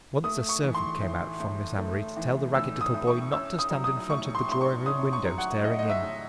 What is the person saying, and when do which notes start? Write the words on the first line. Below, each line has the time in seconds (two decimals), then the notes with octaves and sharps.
Once a servant came out from Miss Amory to tell the ragged little boy not to stand in front of the drawing-room window staring in.
0.24 A3 D#6
0.49 C#6
0.63 E3
0.74 C6
1.00 A2
1.40 A2
1.78 A3
2.17 E3
2.55 A2 E6
2.81 D#6
2.94 A2
3.07 C#6
3.32 C#4 E6
3.59 D#6
3.71 F#3
3.84 D#6
4.10 A2 C#6
4.35 C6
4.49 A2 C6
4.61 C#6
4.86 C#4 D#6
5.13 C#6
5.25 F#3
5.38 F#5
5.64 A2 D#5
5.79 D#5
5.89 E5
6.03 A2